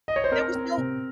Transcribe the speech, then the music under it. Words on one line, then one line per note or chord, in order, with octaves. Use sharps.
there was no"
D#5
C#5
C5
C4 A#4
C4
C3